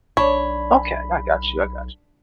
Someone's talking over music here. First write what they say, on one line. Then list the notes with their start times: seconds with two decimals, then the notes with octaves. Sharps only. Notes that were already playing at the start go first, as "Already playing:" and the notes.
Okay. I got you, I got you.
0.17 B1 D4 C#5 B5